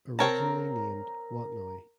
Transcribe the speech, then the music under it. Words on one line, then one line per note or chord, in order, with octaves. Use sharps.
Originally named "Wat Noi".
C4 A#4 C#5 A5 A#5